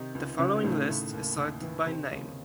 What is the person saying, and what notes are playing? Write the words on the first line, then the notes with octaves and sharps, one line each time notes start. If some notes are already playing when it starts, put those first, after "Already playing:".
The following list is sorted by name.
Already playing: C3 D#3 D#4
C#2
C#2 C#3 C#4
A2 D#3 A3
A2 C#3 A3
D#2
D#2
E3
C3 D#3 C4
D#2 C#3 C#4